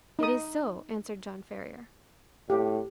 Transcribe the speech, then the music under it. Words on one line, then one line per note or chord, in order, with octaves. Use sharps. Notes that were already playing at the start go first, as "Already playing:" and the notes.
"It is so," answered John Ferrier.
D#4 D#6
A2 G4